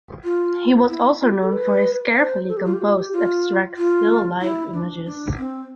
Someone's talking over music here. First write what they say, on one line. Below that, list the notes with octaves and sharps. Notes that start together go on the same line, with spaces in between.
He was also known for his carefully composed abstract still life images.
F4
E4
F4
G4
A4
B4
C5
A4
G4
F4
G4
F4
G4
F4
F4
E4
D4
D4
C4